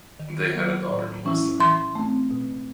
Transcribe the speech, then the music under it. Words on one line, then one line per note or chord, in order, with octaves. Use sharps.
They had a daughter, Melissa.
D#3
F#3 A#3
A2
E3 G#3 C#4 E4
E3 C6
A3 C4
B2